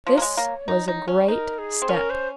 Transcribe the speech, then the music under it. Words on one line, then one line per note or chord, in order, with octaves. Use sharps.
This was a great step.
F3 C#5
A#3
G#3
A#3
D#4
D#4
C#4
D#4 A#4 C5
G#4
C4
C#4 A#4
C5